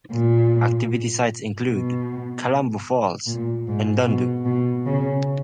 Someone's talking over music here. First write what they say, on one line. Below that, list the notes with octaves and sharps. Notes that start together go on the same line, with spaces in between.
Activity sites include: Kalambo Falls and Dundo.
A#2
B2
A#2
G#2
B2
B2
C#3